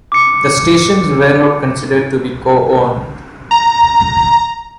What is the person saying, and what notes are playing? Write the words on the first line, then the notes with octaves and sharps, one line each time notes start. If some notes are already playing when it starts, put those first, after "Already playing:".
The stations were not considered to be co-owned.
D6 C#7
A#5